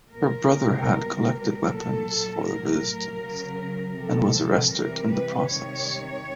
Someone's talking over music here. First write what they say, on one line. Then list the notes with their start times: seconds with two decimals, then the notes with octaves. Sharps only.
Her brother had collected weapons for the resistance and was arrested in the process.
0.13 A#2 F3 A#4
0.90 B2 G3
1.67 A#2 F#3 A4
2.44 A2 F#3 A#4
3.20 C#3 F#3
3.96 C3 F3 A4
4.72 C3 E3 G3 A#4
5.11 B4
5.50 C3 D#3 G3 C#5